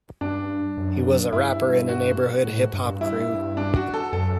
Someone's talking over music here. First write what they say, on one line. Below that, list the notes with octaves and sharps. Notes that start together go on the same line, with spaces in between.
He was a rapper in a neighborhood hip hop crew.
G2 D4
F#2
G2 E4
F#4
A2
G2
E4
D4
F#4
A4
F#2 A4